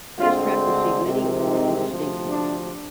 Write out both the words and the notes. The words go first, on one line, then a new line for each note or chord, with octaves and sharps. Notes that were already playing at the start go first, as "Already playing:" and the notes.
Oistrakh received many awards and distinctions.
D2 D3 G#3 C4 F4
C2 C3 D#3 G#3 C4
D#4
D2 C3 F3
D4